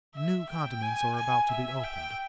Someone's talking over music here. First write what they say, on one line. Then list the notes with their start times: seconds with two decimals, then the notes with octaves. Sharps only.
New continents are about to be opened.
0.15 E5
0.49 G5
0.83 G#5
1.15 G#5
1.50 E5
1.83 G5